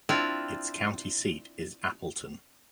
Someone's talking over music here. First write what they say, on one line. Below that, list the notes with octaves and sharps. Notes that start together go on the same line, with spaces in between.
Its county seat is Appleton.
C4 D4 E4 F4